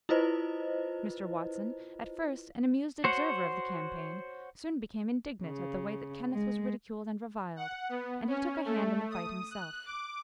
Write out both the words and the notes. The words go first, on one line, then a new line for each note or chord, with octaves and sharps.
Mr. Watson, at first an amused observer of the campaign, soon became indignant at the way that Kenneth was ridiculed and reviled; and he took a hand in the fight himself.
E4 F4 B4 C5 D#5
F#4 C5 C#5 F#5
C#3
G#3
F#5
B3
C#4
A3
D#6
F#6
D6